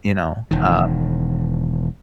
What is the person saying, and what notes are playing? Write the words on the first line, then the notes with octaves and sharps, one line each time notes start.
you know, uh
E1 D#3